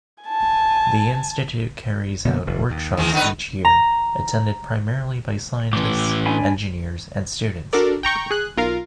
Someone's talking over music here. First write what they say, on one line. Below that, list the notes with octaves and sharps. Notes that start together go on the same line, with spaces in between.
The Institute carries out workshops each year, attended primarily by scientists, engineers, and students.
G#5 A5
B2 D3 A#3
F1 D#2
D#2
D#3 E3 G#3
D3 D#4 B4
A#5
A2 E3 D6
D4 G#5 B5
D4 F#4 A4 A#4 D5
G5 A#5 C#6 G6
G#4 F#6
B1 F4 A#4 F5